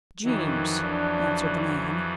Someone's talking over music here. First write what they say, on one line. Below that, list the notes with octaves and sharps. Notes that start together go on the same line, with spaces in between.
"Geemes," answered the man.
F2 D#3 E3 F#3
D4